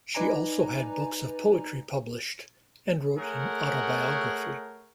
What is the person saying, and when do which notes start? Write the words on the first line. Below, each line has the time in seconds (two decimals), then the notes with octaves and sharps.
She also had books of poetry published, and wrote an autobiography.
0.15 D#4 B4 D5 G#5 A#5
3.18 A3 G#4 A#4 C#5 F#5